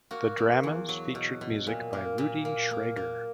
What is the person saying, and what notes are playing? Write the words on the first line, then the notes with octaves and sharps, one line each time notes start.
The dramas featured music by Rudy Schrager.
A#3 F#4
A#3
E2
F#3
B2
B2
A#2
A#3
A#2
A#3
A#3
A#3